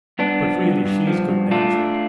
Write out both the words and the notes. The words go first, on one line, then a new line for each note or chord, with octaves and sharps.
But really she is good-natured.
G2 B3 D4
F3
G2
G2
F3
G2
A3 D4 F4
A3